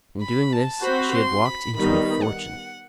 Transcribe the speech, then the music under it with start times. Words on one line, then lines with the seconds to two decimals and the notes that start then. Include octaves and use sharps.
In doing this she had walked into a fortune.
0.22 B5
0.52 A5
0.83 C4 F#4 C5 B5
1.15 C6
1.45 B5
1.76 D#3 G3 B3 D#4 B5
2.22 F#5